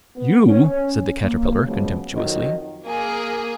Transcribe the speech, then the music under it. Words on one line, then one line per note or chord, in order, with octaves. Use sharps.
'You!' said the Caterpillar contemptuously.
B3
C#4
A#3
C#3 F3 F#3 G#3 B3
F2 D#3 F#3 F#4 D#5
A#3 G#4